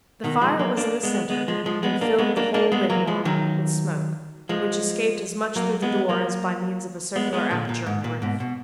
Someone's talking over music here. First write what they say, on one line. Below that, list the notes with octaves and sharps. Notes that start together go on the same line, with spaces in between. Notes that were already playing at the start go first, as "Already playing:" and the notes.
The fire was in the centre, and filled the whole wigwam with smoke, which escaped as much through the door as by means of a circular aperture in the roof.
B2 D#3
F3 G#3
F#3 A#3
A#3 D4
G#3 B3
G#3 B3
F3 G#3
F3 G#3
G#3 B3
A#3 D4
G#3 B3
A#3 D4
A#3 D4
G#3 B3
F#3 A#3
F3 G#3
D#3 F#3
F3 G#3
F#3 A#3
G#3 B3
F#3 A#3
G#3 B3
G#3 B3
A#2 D3
A#2
G#2
A#2
G#2 B2
B2